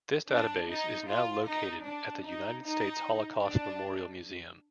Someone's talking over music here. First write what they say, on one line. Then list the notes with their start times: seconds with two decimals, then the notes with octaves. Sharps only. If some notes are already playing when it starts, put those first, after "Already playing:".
This database is now located at the United States Holocaust Memorial Museum.
0.30 D4
0.70 D#4
1.09 F4
1.48 D#4
1.87 D4
2.26 D#4
2.65 D#4
3.43 D4